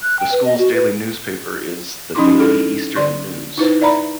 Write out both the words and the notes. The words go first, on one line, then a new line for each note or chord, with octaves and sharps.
The school's daily newspaper is The Daily Eastern News.
F#6
G5
B4
D#5
F#4
B4
F3 C#4 D#4 E4 C6 D6
D4 E4 F4 G#4 A4
D3 D5 C6 C#6
D#4 E4 B4 C5
D5 E5 A#5 B5